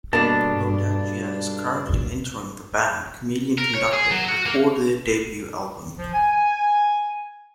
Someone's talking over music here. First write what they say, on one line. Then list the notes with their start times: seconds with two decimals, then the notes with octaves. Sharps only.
Odadjian is currently mentoring the band Chameleon Conductor record their debut album.
0.13 G2 B2 A#3 D4 A4 A5
3.58 A#4
3.74 C#5
3.93 G#4
4.11 F#3
4.28 F#4
4.46 A#3
5.99 F3
6.14 G#5